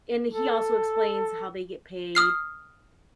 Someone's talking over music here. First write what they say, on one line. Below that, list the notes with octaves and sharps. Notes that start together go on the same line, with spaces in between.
and he also explains how they get paid
A4
D#6 F6 C7